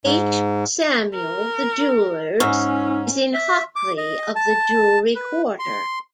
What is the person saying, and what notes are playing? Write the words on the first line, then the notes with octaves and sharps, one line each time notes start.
H. Samuel, the jewellers, is in Hockley of the Jewellery Quarter.
G#2
A#4
G#2 C#4 D#4 C#6 E6 F6
E5
D6
D#5
A5
B4
C6